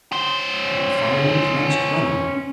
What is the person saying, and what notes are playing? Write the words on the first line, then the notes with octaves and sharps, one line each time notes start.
A fireman commenced running.
C#4 C5